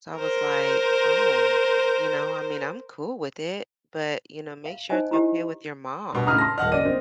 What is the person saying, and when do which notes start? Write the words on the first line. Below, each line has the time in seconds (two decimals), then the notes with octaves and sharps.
So I was like, "Oh, you know, I mean, I'm cool with it, but, you know, make sure it's okay with your mom."
0.16 A#4 C5
4.66 F5
4.90 D#4 C5 D#5 G#5
5.11 E4 G4 D#5
6.12 G2 B2
6.27 A2 C#3 D#4 A#5 D#6 F6
6.38 A5 C6 A#6
6.58 D#1 D#5 F#5 A5 F6
6.72 F#1 D5 D#5 D#7
6.85 C4